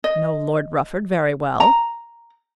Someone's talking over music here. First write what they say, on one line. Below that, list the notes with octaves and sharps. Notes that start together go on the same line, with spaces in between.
"Know Lord Rufford very well!"
D#5
A#5